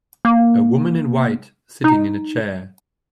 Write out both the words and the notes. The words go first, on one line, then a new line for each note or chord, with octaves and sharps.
A woman in white sitting in a chair.
A#3
D#4